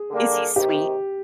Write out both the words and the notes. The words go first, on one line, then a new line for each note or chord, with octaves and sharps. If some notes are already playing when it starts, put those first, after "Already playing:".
Is he sweet?
Already playing: G#4
D3 G3 A#3 D4
C3 D#3 G4